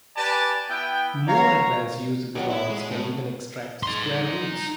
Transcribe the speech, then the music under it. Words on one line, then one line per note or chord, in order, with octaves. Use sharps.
More advanced use of the rods can even extract square roots.
G4 B4 D5 G#5 A5
B3 E4 G5
C#5 F5 A#5
F#3 B3 D#4 G4 C#5
E4
G#3
A2
D#4 C6